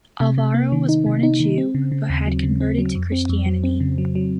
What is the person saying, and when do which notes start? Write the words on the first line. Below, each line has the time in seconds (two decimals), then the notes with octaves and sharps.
Alvaro was born a Jew, but had converted to Christianity.
0.20 C3
0.38 C3
0.54 A#3
0.72 D#3
0.89 D#4
1.06 C3
1.23 D#4
1.40 D#3
1.58 C4
1.75 C#3
1.92 C#3
2.10 D#2
2.26 F#3
2.43 C#3
2.61 C4
2.78 F#3
2.95 F2
3.12 C4
3.29 F2
3.46 F#3
3.63 C4
3.80 C#3
3.98 F#3
4.15 F#3